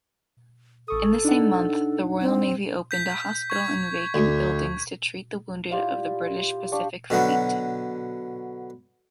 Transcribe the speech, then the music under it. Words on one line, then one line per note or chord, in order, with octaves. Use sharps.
In the same month, the Royal Navy opened a hospital in vacant buildings to treat the wounded of the British Pacific Fleet.
A1 A4 C#6 D#6
D4 D#4 F#5
C4
G6 B6
C#6 G#6 B6
D2
E4 F4 G4 D5
D4 G4 F5 C#6
B2 D3 F#3 B3